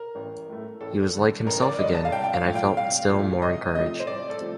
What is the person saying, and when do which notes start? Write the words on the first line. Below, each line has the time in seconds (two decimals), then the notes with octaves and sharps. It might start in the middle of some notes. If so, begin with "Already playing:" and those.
He was like himself again, and I felt still more encouraged.
Already playing: A#4
0.15 A1
0.49 A2 A3
0.81 A1 A4
1.13 G2 D3
1.46 A1 A#4
1.62 D5
1.79 G2 D3 D#5
1.95 A5
2.05 F5
2.12 C2 G5
2.24 G5
2.33 F5
2.45 A#2 F3 A3
2.55 G5
2.77 C2 F5
3.09 A#2 F3 A3
3.42 C2 D#5
3.75 C3 F3 A3 D#5
4.00 C5
4.07 C2 D5
4.30 A4
4.40 C3 F3 A3